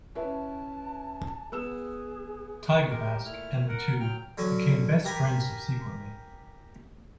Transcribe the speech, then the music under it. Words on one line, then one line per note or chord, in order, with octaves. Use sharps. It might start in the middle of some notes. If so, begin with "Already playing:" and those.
Tiger Mask, and the two became best friends subsequently.
C#4 E4 B4 A5
B3 G#4 E6 E7
G#3 G4 A#4
A#2 A3 E4 F6
A#4 F#5
F#3 G5 F6
D3 F#3 C#4
G4 A#4 G#5 B5